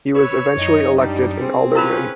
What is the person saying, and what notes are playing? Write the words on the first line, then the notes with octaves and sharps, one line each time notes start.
He was eventually elected an Alderman.
B4 C#5 C#6 E6
F#2 D#4 D#5
G3 D4 G4
C4 G#4
C#4 E4 F4 A#4 B4 B5